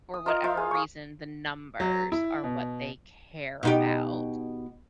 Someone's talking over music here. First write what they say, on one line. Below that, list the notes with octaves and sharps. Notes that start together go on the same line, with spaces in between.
For whatever reason, the numbers are what they care about.
D#6
F4 A#4 D#5
F4 C5 E5 F5
G#4
C#6 D#6
F#3
E4
B2
B2 D#4 G4